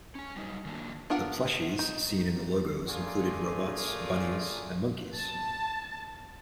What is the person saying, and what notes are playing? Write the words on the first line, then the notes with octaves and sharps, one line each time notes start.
The plushies seen in the logos included robots, bunnies, and monkeys.
C#4 G#5
F#3 G3 D#4
D#3 F#3 A#3 D4 E4 F4
B3 D4 F4 A#4 F#5
D#4
A3 A#3 F4 G#4 D5 G#5
A5